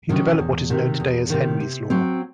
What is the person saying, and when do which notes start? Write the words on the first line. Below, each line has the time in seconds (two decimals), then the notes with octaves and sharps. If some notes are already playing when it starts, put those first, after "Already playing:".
He developed what is known today as Henry's Law.
0.09 C3 D#3 F#3 C#4
0.39 E2
0.70 C3 D#3
1.00 E2
1.30 C3 D#3
1.60 C3
1.90 F#3 C4